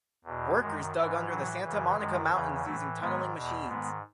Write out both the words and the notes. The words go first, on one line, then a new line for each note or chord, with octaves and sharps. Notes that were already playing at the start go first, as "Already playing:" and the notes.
Workers dug under the Santa Monica Mountains using tunneling machines.
E2 B2
F#2 D#3 G#3
G#2 E3
A2 E3 F#3
F#2 C#3 E3
F#2 D#3 G#3
E2 C#3 E3
A2 E3 F#3 A3
G#2 D#3 G#3 B3
E2 B2
G#2 D#3 G#3 B3